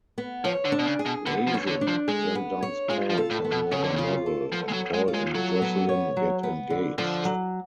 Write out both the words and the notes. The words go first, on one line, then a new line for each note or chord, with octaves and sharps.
Resin then dumps Paul for another model, and Paul and Jocelyn get engaged.
B3
F3 C#5
D3
D4
B2
C#3
G#4
B2
D3 B3
F3
C#5
D3
D4
F3
G#3 G#4
B3
C#5
G#3 F4
F3
A4
A2
B3
B2
C#3 C#5
D3
C#3 F4
A4
F3 B3
G#3
F#3
C#5
G#3
F4
G#3
F#3 A4
B3
C#5
F#3
B3
D3
D3 F3
F#3